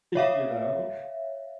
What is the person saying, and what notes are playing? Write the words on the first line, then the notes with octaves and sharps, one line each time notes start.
you know?
C#5 E5 F5